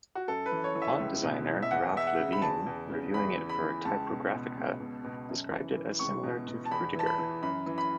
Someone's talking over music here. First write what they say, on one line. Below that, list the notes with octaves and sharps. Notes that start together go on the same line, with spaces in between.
Font designer Raph Levien, reviewing it for "Typographica", described it as similar to Frutiger.
F#4
F#2 A4
B4
E3
C#5
E3
E5
C#2
B2
B2
E5
E2 F#5
E2 E5
F#5
C#3
B5
E2 A5
E2
C#3
E2 B5
E3
B5
E3
C#2 A5
B2
B2
C#2
B2
B2
F#2
E3
E3
C#2 C#6
B2
B2
A5
E2 B5
E3 A5
B5
E3
F#2 B5
E3
B5